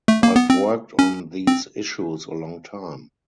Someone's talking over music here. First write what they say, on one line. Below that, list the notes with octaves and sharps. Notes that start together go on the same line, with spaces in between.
I’ve worked on these issues a long time.
A3
A#3
B3
C4
C#4
C4